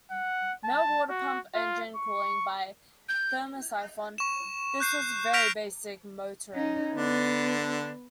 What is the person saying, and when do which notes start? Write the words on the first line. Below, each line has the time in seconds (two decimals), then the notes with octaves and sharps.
No water pump, engine cooling by thermosyphon - this was very basic motoring.
0.11 F#5
0.64 A5
1.10 F#4
1.55 F4
1.96 C#6
3.09 G6
4.18 C#6 E7
4.80 F#6 G6 C7
5.33 F6 G6 A#6 B6 D7 F7
6.54 C#4 D#4
6.95 D3 B3 D4